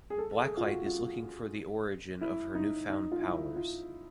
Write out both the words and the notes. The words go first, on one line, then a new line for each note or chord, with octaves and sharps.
Blacklight is looking for the origin of her newfound powers.
G#4
A4
A4
G#4
F4
F#4
F4
E4
D#4
D#4
F4
E4
F4